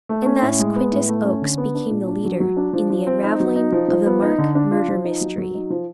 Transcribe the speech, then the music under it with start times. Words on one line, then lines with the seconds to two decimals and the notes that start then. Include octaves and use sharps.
And thus Quintus Oakes became the leader in the unravelling of the Mark murder mystery.
0.09 A3
0.26 C#4
0.42 A2
0.59 G#3
0.76 B3
0.92 A2
1.08 A3
1.25 C#4
1.41 D3
1.58 B3
1.75 D4
1.90 A#2
2.07 D4
2.24 F#3
2.40 F#3
2.57 D4
2.73 F3
2.90 F3
3.07 C4
3.23 D#4
3.40 F#3
3.56 D#4
3.72 F3
3.88 F3
4.06 B3
4.22 D#4
4.38 D3
4.55 D4
4.71 F4
4.88 F3
5.04 D#4
5.21 F#3
5.38 F#3
5.54 D#4
5.70 F3